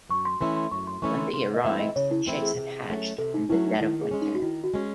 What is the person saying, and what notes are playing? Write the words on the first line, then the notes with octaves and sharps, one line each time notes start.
When they arrived the chicks had hatched in the dead of winter.
F#2 C#6
C6
E3 A3 C#4 E4 C6
C6
F#2 C#6
C6
E3 A3 C#4 E4 C#6
C6
C#3 C6
D#5
E3 A3 C4 E4 E5
D#5
C#3 C#5
E4
E3 A3 C4 E4
G#4
C3
F#3 A3 C#4
C3 A4
D#4
F#3 A3 C#4 E4
D#4
D#3 E4
G#4
G#3 C#4
D#4
F#4
D#3 E4
F#4
G#3 C#4